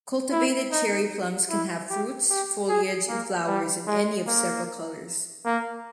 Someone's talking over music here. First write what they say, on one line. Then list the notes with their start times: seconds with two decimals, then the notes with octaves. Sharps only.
Cultivated cherry plums can have fruits, foliage, and flowers in any of several colours.
0.32 E4
0.72 D#4
1.50 E4
1.90 G4
2.30 G4
2.69 G#4
3.09 A#3
3.47 G3
3.87 G#3
4.27 A#3
5.46 A#3